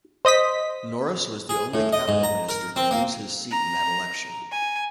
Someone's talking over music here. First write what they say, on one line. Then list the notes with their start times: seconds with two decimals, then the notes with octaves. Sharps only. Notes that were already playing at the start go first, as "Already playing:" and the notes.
Norris was the only cabinet minister to lose his seat in that election.
0.25 C5 D#5 D#6 B6
1.49 G#4
1.74 A2
1.93 D#5
2.08 G#2
2.23 A#5
2.49 A#4
2.76 C4
2.91 A#3
3.50 A#5
4.51 G#5